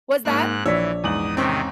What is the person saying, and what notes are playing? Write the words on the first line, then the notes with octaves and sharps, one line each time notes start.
What's that?
G#2 A#3 D#4 F#6
A#1 E3 C#5 D5 E6 B6
E2 G#2 D#6 F#7
C3 D#3 C4 C#4